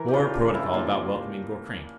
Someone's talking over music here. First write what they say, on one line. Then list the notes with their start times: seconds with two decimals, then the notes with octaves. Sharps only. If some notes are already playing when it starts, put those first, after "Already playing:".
More protocol about welcoming Gorkrink.
Already playing: E3 A#4
0.08 G4
0.13 D4 F4
0.20 C#3
0.34 D4 F4
0.47 C#3
0.54 E4
0.74 A#3 D4 F4